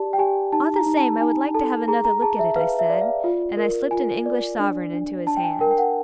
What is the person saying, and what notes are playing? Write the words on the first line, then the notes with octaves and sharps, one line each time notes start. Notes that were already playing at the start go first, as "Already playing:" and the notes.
'All the same I would like to have another look at it,' I said, and I slipped an English sovereign into his hand.
Already playing: G4 D5 A5
G5
G4 G#5
D#4 A5
A#5
D#4
A5
D#4 G#5
A4 A5
G#4 A#5
A#5
G#4 A5
E5
B4 F5
E5
D5
F5
F4
A#4
F4 G#5
D5
D4
D4
D4 A5
G5
G#5
A#4 G5
G5
F#5